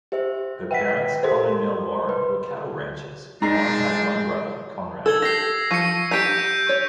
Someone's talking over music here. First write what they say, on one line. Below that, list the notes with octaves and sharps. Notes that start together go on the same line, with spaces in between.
Her parents, Con and Nell Warren, were cattle ranchers; Warren had one brother, Conrad.
G4 C5 E5
B4 E5 F#5 G5 B6
G4 A4 A#4 C5 C6
B4
G#3 C4 D4 D#4 A#5 A#6 C7
A4 E6 G#6 G7
G4 A#6 C7
F3 C#6 C#7
G4 A#5 G6 B6 D7
G6
C#5